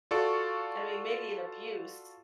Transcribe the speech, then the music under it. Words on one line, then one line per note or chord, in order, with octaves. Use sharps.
I mean, maybe an abuse.
F4 F#4 A4 D5 C#6